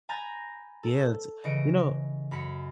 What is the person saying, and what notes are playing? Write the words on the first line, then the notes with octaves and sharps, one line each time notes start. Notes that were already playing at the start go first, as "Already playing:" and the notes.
Yeah, it's you know
G#5 A#5 B5 G6 A6 A#6
A4
C#3 E3 D#5 C#7 D7
F#2 B5 B6 C#7